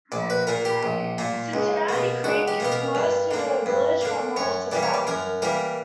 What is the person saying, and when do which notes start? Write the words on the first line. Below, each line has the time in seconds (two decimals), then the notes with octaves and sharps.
Cincinnati Creek flows through the village from north to south.
0.12 A#1 D5
0.30 B4
0.47 A#2 A#3 A#4
0.65 G4
0.83 A#1
1.18 A#2 A#3
1.54 C#2
1.89 B2 A#3
2.24 C#2 F#4
2.48 G4
2.60 B2 A#3 G4
2.72 A#4
2.95 G2
3.31 D3 A#3
3.66 G2
4.01 D3 A#3
4.36 F#2 C#5
4.71 E3 G3 A#3 D5
4.83 C#5
4.94 D5
5.07 F#2 A#4
5.42 E3 G3 A#3 A#4